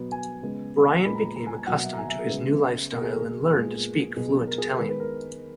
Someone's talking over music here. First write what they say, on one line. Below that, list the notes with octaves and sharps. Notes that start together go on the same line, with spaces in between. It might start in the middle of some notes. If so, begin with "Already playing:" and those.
Bryant became accustomed to his new lifestyle and learned to speak fluent Italian.
Already playing: B2 F#3 B3
G#5
C#3 G#3 B3
A#2 G#3 B3 B5
A#5
B5
A#5
G#5
G#5
B2 F#3 A#3 F#5
E5
A#5
G#5
E5
G#4
C#3 G#3 B3
B2 A#3 A#4
G#4
A#4
A#2 G#3 B3 G#4
B2 F#3 B3 G#4
A#4
G#4
A#4
D#3 G#3 B3 B4
B4
A#4